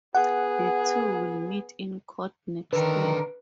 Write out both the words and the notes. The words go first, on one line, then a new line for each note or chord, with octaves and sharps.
The two will meet in court next year.
B3 G#4 F#5
D3 D#3 A#4 B4